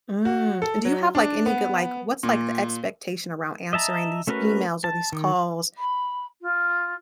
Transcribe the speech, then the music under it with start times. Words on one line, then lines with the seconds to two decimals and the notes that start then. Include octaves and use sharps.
Mm, do you have, like, any good like, what's, like, the expectation around answering these emails or these calls
0.25 F#4
0.62 A4
0.85 F#3
1.15 D4
1.46 B3
2.23 A#2
3.73 D#5 E5 A5 A#5
4.27 A3 C#4 F#4 A#4 B4
4.84 A5
5.12 D#3
5.78 B5
6.41 F4